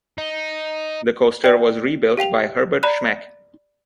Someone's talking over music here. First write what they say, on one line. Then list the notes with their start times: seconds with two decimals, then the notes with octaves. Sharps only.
The coaster was rebuilt by Herbert Schmeck.
0.18 D#4
1.44 D5 D#5 G5
2.17 G4 F5 G5 F7
2.83 D5 A#5 B5 F#6